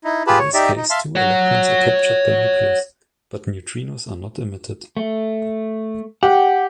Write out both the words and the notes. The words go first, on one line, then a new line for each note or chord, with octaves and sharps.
In this case, two electrons are captured by nucleus, but neutrinos are not emitted.
D#4 E4
F4 G4 G#4 B4 A5 B5
C#5
D#4 G4 D5 E5
D#4
E5 F5 A5 C6
C#5 F#5
A3
G4 F#5